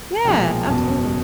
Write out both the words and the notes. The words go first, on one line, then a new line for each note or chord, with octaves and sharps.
Yeah, absolutely.
B1 A#2 F3 G#3 G5
G#5
F#1 E2 B2 A5